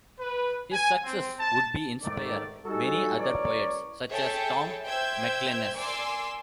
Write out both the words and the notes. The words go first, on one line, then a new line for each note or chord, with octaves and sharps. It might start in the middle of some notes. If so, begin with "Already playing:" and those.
His success would be inspire many other poets, such as Tom MacInnes.
B4
G#5
C4
A5
G#2 D#3 A3 D5
G3 D#4 F#4 G#4 A4
F#1 E3 A#4 C#5 D5
G#4 A4 C#5 E5 G5 A5
C5 E5 G5 E6 G6 G#6
A#4 D5 G#5 C6 D6 E6